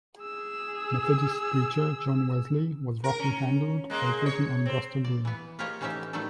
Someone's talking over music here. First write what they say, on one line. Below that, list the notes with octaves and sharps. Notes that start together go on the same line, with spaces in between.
Methodist preacher John Wesley was roughly handled while preaching on Gosta Green.
G#4 E6
A#4
C#4
G#3 A#3
C#5
C4
D5
E3 B3
A#3 F4 G4 G#4 C#5 D#5
A2 E3 C#4 D#4 G4 E5
D#3 F#3 G3 A3 D#4 A4